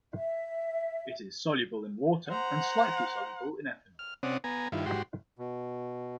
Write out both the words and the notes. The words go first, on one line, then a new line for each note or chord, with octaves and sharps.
It is soluble in water and slightly soluble in ethanol.
E5
C5 F#5 A#5
F6
C3 C4 C#4 D5 F#5 D#6
B3 G#5 A#5
G2 D#3 E4 F4
G#2 F#4 G4 C6
B2